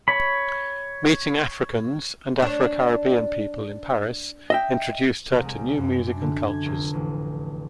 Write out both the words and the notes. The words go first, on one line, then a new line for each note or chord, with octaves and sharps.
Meeting Africans and Afro-Caribbean people in Paris introduced her to new music and cultures.
C#5 B5
D4 C#5
D#5 E5 G5
C2
G#3
G3
F#2
D4
D3
G#6
F1
A1